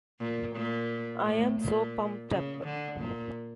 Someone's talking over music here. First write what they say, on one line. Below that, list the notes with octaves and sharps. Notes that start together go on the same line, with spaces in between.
I am so pumped up!
A#2
A#2
A2
A#2
C#3
D3
A#2